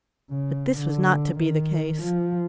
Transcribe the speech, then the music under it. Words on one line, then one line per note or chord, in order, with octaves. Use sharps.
But this was not to be the case.
C#3
D3
D#3
F3